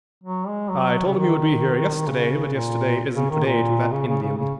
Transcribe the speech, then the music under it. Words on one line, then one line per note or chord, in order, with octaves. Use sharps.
I told him you would be here yesterday, but yesterday isn't to-day to that Indian.
F#3
G#3
F#3
C#3
D#3
C#3
A#2
C#3
D#3
A#2
C#3
C#3
C#3
C#3